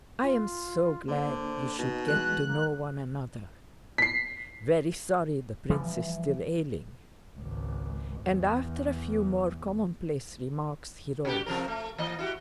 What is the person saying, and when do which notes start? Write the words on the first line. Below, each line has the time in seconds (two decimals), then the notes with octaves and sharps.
"I am so glad you should get to know one another... very sorry the prince is still ailing," and after a few more commonplace remarks he rose.
0.23 F4
1.08 D3 A#3 D4 C5
1.78 B2 D#4
2.08 E3 G3 G#3 F#6
2.45 A#3
3.98 B6 C7
5.69 E3 F3 G3
7.36 G#1 C#2
8.23 E2
11.25 C#3 F#4 G4
11.46 C3 F3 A#4
11.68 A3
11.98 E3 A#3 D#5
12.19 E4 F#4 G4